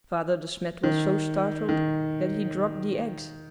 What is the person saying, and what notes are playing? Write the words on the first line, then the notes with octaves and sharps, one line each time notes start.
Father De Smet was so startled that he dropped the eggs.
D#3
D#3